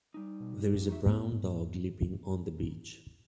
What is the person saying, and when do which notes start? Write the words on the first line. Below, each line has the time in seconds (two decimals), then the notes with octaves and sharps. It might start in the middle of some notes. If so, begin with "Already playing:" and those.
There is a brown dog leaping on the beach.
0.14 G3 D#4
0.40 B2
0.64 G2
0.89 F2 D#4 F#4 E5
1.06 G#2 A3 B3